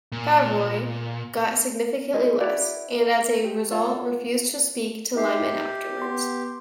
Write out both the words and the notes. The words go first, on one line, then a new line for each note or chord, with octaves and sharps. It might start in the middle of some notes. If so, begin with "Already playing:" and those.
Favreau got significantly less, and as a result refused to speak to Liman afterwards.
A#2
D#4 E4 G#4 D#5
E4 F#4 G#4 D5
G4
F4 A4 C#5 F#5
D#4 G4 D#5 E5 C7
B3 C6